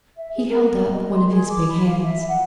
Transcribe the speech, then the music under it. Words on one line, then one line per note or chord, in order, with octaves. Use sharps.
'He held up one of his big hands.
E5
G#4
A#4
A#4
D#5
C6
G#4
D6
B5
F5
E5
F#5